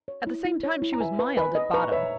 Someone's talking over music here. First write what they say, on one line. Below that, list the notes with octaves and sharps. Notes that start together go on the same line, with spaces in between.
At the same time she was mild at bottom.
C#5
E4
E4
C#5
E4
A#5
B4 E5 G#5
B4
B4 G#5 B5
D#5
B4 A#5 C#6
B4 C#5 E5